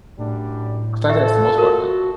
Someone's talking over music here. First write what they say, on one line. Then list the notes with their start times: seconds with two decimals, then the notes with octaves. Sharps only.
I think that's the most part of it.
0.19 F#2 A2 G3 D4
1.09 F4 G4 A4 E5
1.58 F#4 A#4